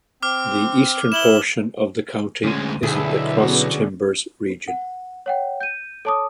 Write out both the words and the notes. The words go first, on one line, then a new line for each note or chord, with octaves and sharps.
The eastern portion of the county is in the Cross Timbers region.
C4 D6 F6
E4 E7 F#7 G7
D2 G#3 C#4 D#7
B1 D3 E4 G#4 E5
B3 C#4 F#4 G#4
F#5
C#5 F#5 G5
G6 D#7
A4 C#5 A5 D6 D#6